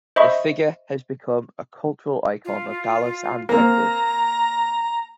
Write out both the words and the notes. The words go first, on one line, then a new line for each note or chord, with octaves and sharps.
The figure has become a cultural icon of Dallas and Texas.
C5 D#5 E5 B5 C#6
F4
A#3 C4 A#5